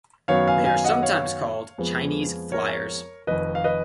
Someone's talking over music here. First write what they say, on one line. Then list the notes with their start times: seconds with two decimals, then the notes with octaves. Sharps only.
They are sometimes called Chinese flyers.
0.28 F#2 D#3 F#3 B3 C#5 F5
0.47 F5 G#5
0.65 F5 G#5
0.84 D#5 F#5
1.03 C#5 F5
1.78 F2 F3 G#3 B3
2.52 A#4 C#5
3.27 F1 F2 D#3 B4 D#5
3.55 F5
3.64 B4 D#5